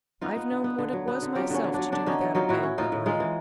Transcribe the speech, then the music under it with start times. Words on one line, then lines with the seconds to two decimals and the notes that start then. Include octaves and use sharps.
I've known what it was myself to do without a banquet lamp.
0.21 B3 D#4 F4
0.36 B3
0.51 D3
0.64 B3
0.78 D3
0.93 F#3
1.08 B3
1.22 D3
1.35 F#3 F4 G4
1.50 D3 C#4
1.64 D3
1.74 F#3 D4
1.92 D3 D4
2.06 D3 C#4 D#4
2.21 F#3
2.35 F#3 D#4 F4
2.49 A2 E4 F#4
2.63 C#4
2.78 A2 D#4 F4
2.92 A2
3.06 G#3 D#4 F4
3.20 E3